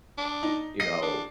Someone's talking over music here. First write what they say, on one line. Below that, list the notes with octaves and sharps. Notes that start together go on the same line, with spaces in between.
you know
D4
D#4
D#5 C7
D4